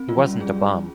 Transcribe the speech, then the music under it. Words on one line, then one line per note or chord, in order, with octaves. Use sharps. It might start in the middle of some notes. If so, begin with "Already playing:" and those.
He wasn't a bum.
Already playing: C4
F4
F3
G3 C#4
G#4